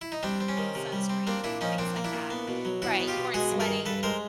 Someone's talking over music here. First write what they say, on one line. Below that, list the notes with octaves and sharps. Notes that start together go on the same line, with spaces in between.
you know, needed sunscreen and things like that. Right, you weren't sweating
E4
D#4
G3 C4 D4
C4
C#4
D#3
C3
G3
C4
A#3 C4 D4
A#2 D4 E4
F3 C#4 D#4
A#2 C4 D4
A#3
D4 E4
A#2
B3
B2
F#3
B2 E4 F#4
B3
F4 G4
B2
G#3 F#4 G#4
G2
G#4 A#4
D#3
G2 A4 B4
G#3 A#4 C5